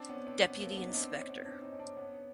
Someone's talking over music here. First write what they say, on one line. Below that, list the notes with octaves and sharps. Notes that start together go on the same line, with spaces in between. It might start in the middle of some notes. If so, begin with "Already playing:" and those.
Deputy Inspector.
Already playing: C4 D4
B3 C#4
C4 D4
B3 C#4
A#3 C4
D4
B3 C#4
D#4
C4 D4
C#4 D#4
B3 C#4
C4 D4
C#4 D#4
C#4
C4 D4
B3 C#4